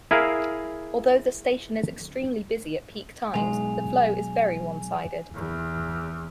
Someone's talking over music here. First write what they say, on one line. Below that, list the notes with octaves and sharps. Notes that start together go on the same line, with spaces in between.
Although the station is extremely busy at peak times, the flow is very one-sided.
E4 G#4 A#4 F5
B1 G#3 G#5 F7
E2